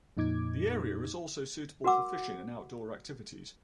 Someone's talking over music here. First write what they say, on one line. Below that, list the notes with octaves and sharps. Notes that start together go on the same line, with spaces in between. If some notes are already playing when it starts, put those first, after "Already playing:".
The area is also suitable for fishing and outdoor activities.
F2 A#2 D#4 D6 G#6
F#4 A#4 F#5 D6 E6